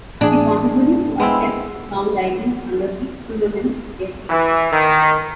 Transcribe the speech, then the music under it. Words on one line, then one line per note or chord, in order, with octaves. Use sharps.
She contributed to Accept's songwriting under the pseudonym Deaffy.
A1 D4 G#4
G#3 B3 C4 E4
E3
D#3